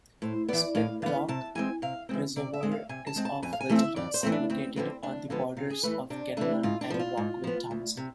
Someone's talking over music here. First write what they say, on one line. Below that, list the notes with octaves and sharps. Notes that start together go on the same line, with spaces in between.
Splitrock Reservoir is of wilderness, located on the borders of Kinnelon and Rockaway Township.
A2 C5
E3 B3 D5
A2 F5
E3 B3 F5
C3 A5
E3 G#3 C4 G#5
C3 F5
E3 G#3 C4
C3 D5
E5
G#3 C4
F5
C3 G#5
A5
G#3 C4
A5
F2 G#5
F5
G#5
E3 A3 C4
E5
F2 D5
C5
E3 A3 C4
D4
D2 C4
D3 F3 G#3 B3 C4
D2 D4
D3 F3 G#3 B3
C3 F4
G#4
E3 A3 B4
C3 D4
E3 A3 D4
G#2 F4
D4
F3 B3
F4
G#2
F3 B3
D2
C3